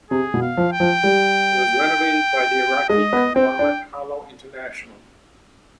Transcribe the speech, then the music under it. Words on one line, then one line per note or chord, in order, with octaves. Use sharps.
It was renovated by the Iraqi conglomerate Harlow International.
C3 G#4
B2
F5
F3
G5
F3
G3
G#3 D#5
B3
C4 G5
D4